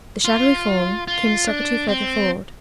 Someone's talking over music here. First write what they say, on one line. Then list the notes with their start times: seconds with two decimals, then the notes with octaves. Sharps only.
The shadowy form came a step or two further forward.
0.25 F4
1.07 F4
1.47 D4
1.88 C4